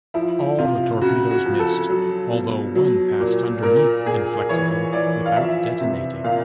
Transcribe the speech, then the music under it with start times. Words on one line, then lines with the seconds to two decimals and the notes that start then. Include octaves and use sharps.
All the torpedoes missed, although one passed underneath "Inflexible" without detonating.
0.14 F3 E4
0.58 C3 F4
1.01 C#3 F#4
1.31 F#4
1.45 F3
1.59 A4
1.89 F#3
2.32 B2
2.75 F#3
3.20 A#2
3.63 A#2 A#4
4.06 A#2 G#4
4.49 E3 C#5
4.93 E3 D5
5.26 F5
5.37 F3 E5
5.80 C3
6.24 A#2 F5